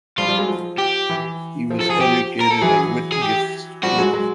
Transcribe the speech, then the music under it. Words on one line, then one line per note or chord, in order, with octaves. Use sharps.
He was educated at Whitgift School.
F3 G3 F4
F3 G3
F#3 G#3
F3
G4
E3
F3
A4
F3 G#4
F3 G4
A#4
A4
E3 F#3 G#4
G#4
G4
F3 G3 F#4
F#3 G#3
F#3 G#3